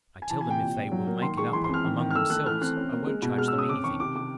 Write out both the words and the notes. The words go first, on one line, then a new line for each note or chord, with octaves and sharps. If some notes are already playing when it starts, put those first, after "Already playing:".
I tell them if they will make it up among themselves I won't charge them anything.'
G#5
E3 A5
G#5
C3 G5
A#2
A#2
F#3
A#3
D#3 C6
G#3 C#6
E3 C6
C6
C4
F6
D#3
D#3
F6
A3 E6
A3 F#6
E3 F6
C4 F#6
C#4
A#3
G#3
B2
G#3 F6
E6
C#4
D#6
C4 D6
D#3 C#6
C3 D6
C3 D6